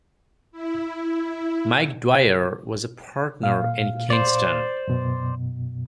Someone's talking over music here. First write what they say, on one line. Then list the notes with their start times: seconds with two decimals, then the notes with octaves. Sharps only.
Mike Dwyer was a partner in Kingston.
0.51 E4
3.43 A#2 F5
4.10 C5 D5
4.88 F#2 B2